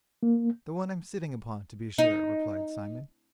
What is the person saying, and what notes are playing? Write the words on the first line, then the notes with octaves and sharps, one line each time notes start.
'The one I'm sitting upon, to be sure,' replied Simon.
A#3
D#4